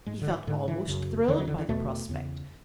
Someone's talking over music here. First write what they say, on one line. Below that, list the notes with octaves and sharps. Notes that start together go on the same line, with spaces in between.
He felt almost thrilled by the prospect.
G#2 G#3
D3
E3
G#2 D3
E3
F#2 C#3
E2 D3 E3
F#3
D3
E3
E2 B2 A3
E2 C#3